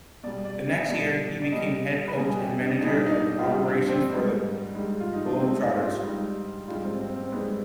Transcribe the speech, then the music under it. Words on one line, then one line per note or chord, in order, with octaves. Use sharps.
The next year, he became head coach and manager of operations for the Globetrotters.
B2 G3 D5
D5
D5
D#5
B2 G3 D5
D5
B2 G3 D#5
B4
B2 G3 G#4
G4
D4
B2 G3 D#4
D4
D#4
F4
B2 G3 G4
D4
C4
G#2 G3
G#2 G3
F4
D#4
D4
G#2 G3 C4
D#4
F4
G#2 G3 D#4
G#2 G3 F4
C4
C4
C4
G#2 G3 B3